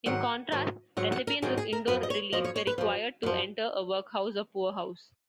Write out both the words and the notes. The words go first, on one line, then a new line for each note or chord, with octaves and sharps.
In contrast, recipients of indoor relief were required to enter a workhouse or poorhouse.
G#2 D#3 F#3 F#5
G#2 D#3 F#3
G#2 D#3 F#3 F#5
F#5
A#4
G#2 D#3 F#3 G#4
G#4
A#4
F#2 F3 B4
D#5
C#5
F#2 F3 D#5
C#5
C#5
B4
F#2 F3
F#2 F3